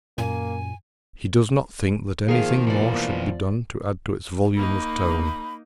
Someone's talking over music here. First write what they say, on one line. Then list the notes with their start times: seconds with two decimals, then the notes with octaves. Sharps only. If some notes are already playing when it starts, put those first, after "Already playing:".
He does not think that anything more should be done to add to its volume of tone.
0.18 F#2 A#2 A#3 G#5
2.28 D#3 F3 A#3 G#4 F5
2.67 B2 E3 D5 F#5
4.56 A#3 D#4 B5